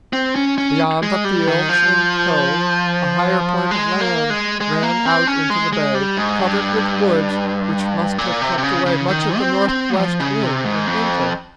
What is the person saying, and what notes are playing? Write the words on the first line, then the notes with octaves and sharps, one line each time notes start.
Beyond the fields and cove a higher point of land ran out into the bay, covered with woods which must have kept away much of the northwest wind in winter.
C4
C#4
C#4
G#3
G3
D#3
F3
G#3
A#3
G#3
G#3
A#3
C4
C#4
G#3
G#3
G3
G#2
G2
A#2
C3
C3
C#3
C#3
D#3
C4
C4
F3
C#3
C3
G#2
F2